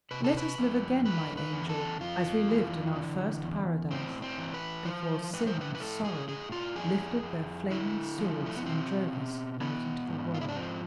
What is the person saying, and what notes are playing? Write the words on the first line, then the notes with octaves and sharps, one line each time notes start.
Let us live again, my angel, as we lived in our first paradise, before sin and sorrow lifted their flaming swords and drove us out into the world.
C3 B4
A4
B4
F2
D3 B4
B4
E2
A4
F2 F4
E3
D3
E2
A2 C4
C4
E3
B4
F3 C5
A2 B4
C5
B4
B4
A2 A4
G#4
A2 G#4
F4
F2 G#4
F2
D3 E4
F3
A3
B3
B2 C4
B2
E3 B3
G#2
F4
E4
D4
F3 C4